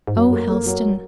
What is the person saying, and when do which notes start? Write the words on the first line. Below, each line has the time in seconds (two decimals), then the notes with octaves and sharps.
Oh, Helstone!
0.07 G#2
0.16 F#2 F#3
0.33 A#3
0.50 A#3
0.66 F#3